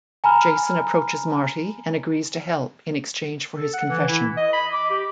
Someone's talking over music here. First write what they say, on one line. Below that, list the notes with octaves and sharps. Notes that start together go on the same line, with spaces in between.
Jason approaches Marty and agrees to help in exchange for his confession.
G#5 A#5 B5 F6
A4
F#5
E3
E4
D#5
B5
D6
G4